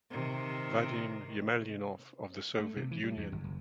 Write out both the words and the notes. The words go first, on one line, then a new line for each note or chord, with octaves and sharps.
Vadim Yemelyanov of the Soviet Union.
C3 D#3
A3
C3
E3
G3
E2
G#1
F#1